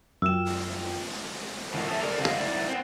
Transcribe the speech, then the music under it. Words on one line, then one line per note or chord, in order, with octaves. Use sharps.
Please wait a moment while I am investigating the issue.
F#2 F4 G5 E6 E7
A2 D#3 F3 F#3
G#4 A4 C#5 E5
A4 A#4 D5 A#5
C#3 F#3 G#4 D#5 F5
F#2 G3 D#4 E4 D5
B3 C4